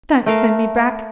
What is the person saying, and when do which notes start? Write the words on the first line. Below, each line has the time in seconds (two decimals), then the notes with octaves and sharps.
Don't send me back!
0.26 A3 A#4 F5